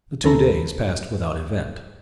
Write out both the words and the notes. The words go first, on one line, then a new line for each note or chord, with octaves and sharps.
The two days passed without event.
D2 C#4 A4 A#5 B5